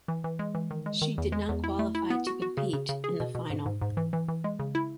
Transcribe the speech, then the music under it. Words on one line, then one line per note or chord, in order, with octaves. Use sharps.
She did not qualify to compete in the final.
E3
E3
G#3
E3
D#3
G#3
D#3
E2
G#3
E2
E4
A3
E4
B3
F#4
F#4
C#3
C#3
C#3
G#4
B2
B2
G#2
G#2
G#2
E3
E3
E3
G#3
C#3
E4